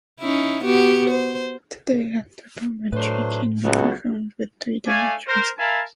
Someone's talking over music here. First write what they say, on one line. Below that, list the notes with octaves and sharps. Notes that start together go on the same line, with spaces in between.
Today anthropometry can be performed with three-dimensional scanners.
C#4 D#4 E4
B3 F#4 G4
C5
A2 F#3 A3 D4 B4 C5
C#2 C#3 F#3 A3 B3 F#4 F#5
A3 D5 F5 G#5
A#4 C5
A#4 E5 F5 G#5 A5 B5